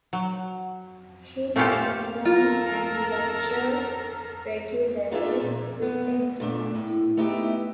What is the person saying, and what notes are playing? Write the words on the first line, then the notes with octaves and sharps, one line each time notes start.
He now performs and lectures regularly with the instrument.
F#3
A3 A#3 C#4 F4 G4 A4
C5 F5
F4 A4 A#4
D4 D#4 F4 G#4 D5 E5
A#2
B3
A#2 A3 D4
A2
A3 B3 D#4 E4 G4